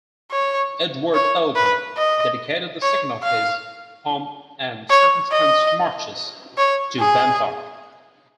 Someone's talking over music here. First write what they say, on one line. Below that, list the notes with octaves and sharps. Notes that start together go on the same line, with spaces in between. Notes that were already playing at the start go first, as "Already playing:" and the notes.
Edward Elgar dedicated the second of his "Pomp and Circumstance Marches" to Bantock.
C#5
C#5
B4
D#5
C#5
F5
C#5
D#5
C#5
G#4